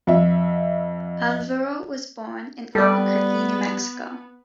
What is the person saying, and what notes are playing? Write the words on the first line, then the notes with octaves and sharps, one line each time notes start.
Alvaro was born in Albuquerque, New Mexico.
F2 E5
G3 B3 A4 D5